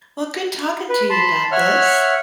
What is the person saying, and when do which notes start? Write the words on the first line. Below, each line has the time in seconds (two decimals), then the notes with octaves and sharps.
Well, good talking to you about this.
0.89 B4
1.10 A5 B5 C6
1.52 C#5 E5 F#5 F6